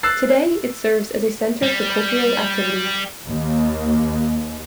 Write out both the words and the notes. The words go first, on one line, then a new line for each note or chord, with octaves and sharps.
Today it serves as a centre for cultural activities.
E6 F#6 A6 C7
G3
D#2